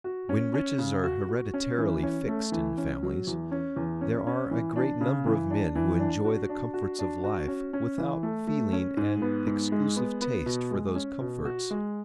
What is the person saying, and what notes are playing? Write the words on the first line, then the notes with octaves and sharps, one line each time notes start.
When riches are hereditarily fixed in families, there are a great number of men who enjoy the comforts of life without feeling an exclusive taste for those comforts.
F#4
C#4
C#4
C#3
F#4
F#4
C#4
E3
C#4
A3
E3
C#4
F#3
E2
C#4
E2
C#4
C#4
E3
D4
C#3
E3
D4
E3
D4
F#4
D4
F#4
D4
F#4
C#4
C#4
E3
A3
A3
C#4
G#2
B3
G#2
G#3
B3
B3
B2
G#3
C#4
B2
F#4
G#3